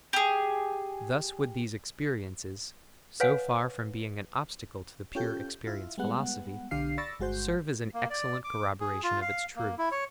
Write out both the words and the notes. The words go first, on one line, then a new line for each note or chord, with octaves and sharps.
Thus would these experiences, so far from being an obstacle to the pure experience philosophy, serve as an excellent corroboration of its truth.
G4 G#4
B4 C#5 F5 F#5 G#5
C#4 F4 G4 A4 G6
E4 F4
G3 G#3 B3 F#5
B1 D3 D4 G4 F5 C7
D5 B5 C#6 E6 A6 A#6
G1 G#3 F#4 C5 G6
A#3
D5
D6
G#4
F4
F5
A#3
E4
C#5